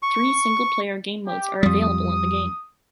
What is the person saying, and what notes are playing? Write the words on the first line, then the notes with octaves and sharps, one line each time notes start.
Three single player game modes are available in the game.
C#6
G4
F2 G3 D#6